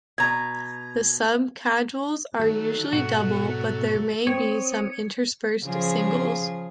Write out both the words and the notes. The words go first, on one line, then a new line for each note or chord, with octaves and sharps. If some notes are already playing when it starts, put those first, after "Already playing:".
The subcaudals are usually double, but there may be some interspersed singles.
B2 A#5 G#6
D#3 F#3 A3 A4
G#2 B2 F#4
C4 C#5 D#6
C#3 F3 G#4